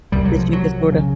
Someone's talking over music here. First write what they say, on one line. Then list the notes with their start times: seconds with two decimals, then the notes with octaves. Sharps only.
that you could sorta
0.12 C2 C3 G3
0.25 F#3
0.39 F3
0.53 F#3
0.92 C#3